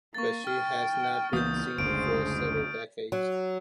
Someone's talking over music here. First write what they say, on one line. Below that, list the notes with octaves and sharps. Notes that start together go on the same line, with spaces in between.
But she has not been seen for several decades.
A#3 C#6 A6
G5 F6
C#2 E3 A#3 B3 D#6 G6
F#1 D2 G#3 C5 D7
F#3